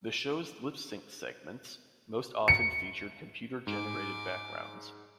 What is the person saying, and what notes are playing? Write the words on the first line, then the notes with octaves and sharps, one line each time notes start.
The show's lip-sync segments most often featured computer generated backgrounds.
C#7
G#2 G#5 D6